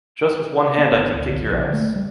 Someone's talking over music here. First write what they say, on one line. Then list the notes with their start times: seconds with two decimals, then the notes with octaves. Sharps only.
Just with one hand I can kick your ass.
0.78 B3
0.91 G#1
1.12 D2
1.32 B1
1.46 A#1
1.58 D3
1.73 A3
1.96 G3